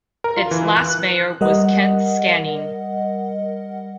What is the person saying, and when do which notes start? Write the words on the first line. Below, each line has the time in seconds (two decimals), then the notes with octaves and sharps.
Its last mayor was Kent Skaanning.
0.24 A#4
0.37 F4
0.51 E3
0.77 F#6
1.41 G3 A#4 D#5 F#5